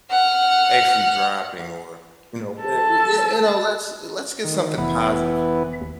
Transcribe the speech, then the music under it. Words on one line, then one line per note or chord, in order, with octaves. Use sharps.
actually dropping," or, you know, where you eh you know, let's let's get something positive here.
F#5 F6
A4 A5
D#3
F1 E3 B3
D#2